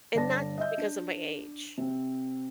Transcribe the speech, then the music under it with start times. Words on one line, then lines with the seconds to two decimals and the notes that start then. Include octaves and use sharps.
and not just because of my age.
0.14 G1 D3 D5 A5 A#6
0.58 D#5 E5 G6
0.78 D4
1.78 C3 C4